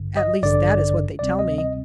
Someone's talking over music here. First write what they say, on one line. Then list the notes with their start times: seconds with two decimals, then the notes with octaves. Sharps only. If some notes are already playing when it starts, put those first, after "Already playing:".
At least that is what they tell me.
Already playing: A1 G2 D3
0.17 D#5
0.42 A1 G2 D3 D5
1.19 D2 C3 G3 C4 D5
1.39 D#5
1.58 D#5